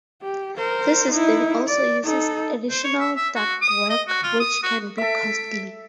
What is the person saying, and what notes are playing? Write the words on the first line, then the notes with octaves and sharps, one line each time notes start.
This system also uses additional ductwork which can be costly.
G4
A#4 C5
D#4 E4
D5
D#4 A4
C5
C#5
E5
E5
F#4
D#6
D#5
F#4
F4
D#6
F#4
A4 E5 B6 D7